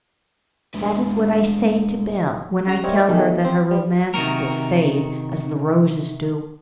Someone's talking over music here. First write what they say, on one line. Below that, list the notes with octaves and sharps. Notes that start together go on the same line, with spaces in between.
That is what I say to Bell when I tell her that her romance will fade as the roses do.
G#3 D4 B4 E5
C#3 F#4 A#5
G3 C4 D#4 E4 A#4 C#5
B2 D#3 A3 D#4 G4 G#4
C4
G3
C3 D#3 F#4 A#4